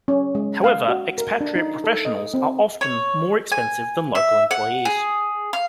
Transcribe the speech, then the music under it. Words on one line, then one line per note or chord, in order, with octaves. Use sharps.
However, expatriate professionals are often more expensive than local employees.
C#4
G#3
F5
F#4
A#4
D4
D#4
A4
D#5
C4
C#5
G#5
E5
F#5
G#4
F5